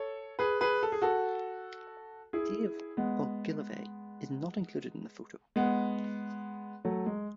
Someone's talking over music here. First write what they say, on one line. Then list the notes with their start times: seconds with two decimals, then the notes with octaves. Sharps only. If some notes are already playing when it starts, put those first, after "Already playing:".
Dave Ogilvie is not included in the photo.
Already playing: A4 C#5
0.39 G#4 B4
0.61 G#4 B4
0.83 A4
0.92 G#4
1.02 F#4 A4
2.33 E4 G#4
2.97 G#3 B3
5.56 G#3 B3
6.85 F#3 A3
7.06 G#3